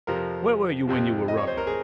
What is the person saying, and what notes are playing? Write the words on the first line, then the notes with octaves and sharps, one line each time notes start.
"Where were you when you were robbed of it?"
F2 C3 F3 A#4
F2 C3 F3
D#5
C#5
C5
A#4
G#4